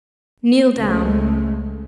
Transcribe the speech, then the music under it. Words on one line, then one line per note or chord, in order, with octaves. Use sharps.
"Kneel down."
C#2 G#3 A3